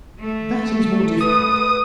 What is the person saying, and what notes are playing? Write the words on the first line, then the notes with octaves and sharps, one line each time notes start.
"That is more difficult."
A3
B4 D#6